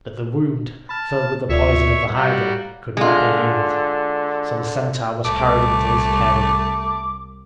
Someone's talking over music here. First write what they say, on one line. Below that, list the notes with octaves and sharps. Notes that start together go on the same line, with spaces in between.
But the wound, filled with the poison of the hydra, could not be healed; so the centaur was carried into his cave.
A5 B5 F6
D2 F4 C#5 D5 E5 C#6
G3 F#4 F5 A#5
D3 G#3 F4
C2 A3 D6